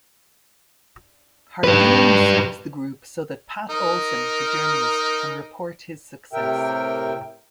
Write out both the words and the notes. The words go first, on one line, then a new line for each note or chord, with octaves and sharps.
Hardoon receives the group so that Pat Olsen, the journalist, can report his success.
G4 B4
D#4 A#4
A2 C3 A#4 E5 G5